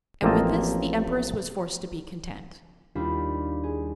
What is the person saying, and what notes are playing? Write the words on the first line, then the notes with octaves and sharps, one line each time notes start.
And with this the empress was forced to be content.
A1 F3 A#3 C4 D#5 A5
D#2 G3 D4 E4 F4 B5
G#4